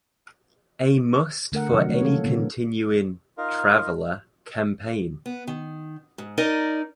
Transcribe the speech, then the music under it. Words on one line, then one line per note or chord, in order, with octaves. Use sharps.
A must for any continuing "Traveller" campaign.
D3 A3 A#4 F#5
C3 D#3 F3 F#3
A3 C#5
E3 A3 A#3 C4 A4 F5
A#2 D3 A#3 B3
D#4 F4 A#4 F5
B3
D#3
G#2
D#4 A#4 D5 D#5